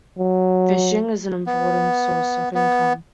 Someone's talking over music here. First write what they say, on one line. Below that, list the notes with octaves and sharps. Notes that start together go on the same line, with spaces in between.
Fishing is an important source of income.
F#3
B3
B3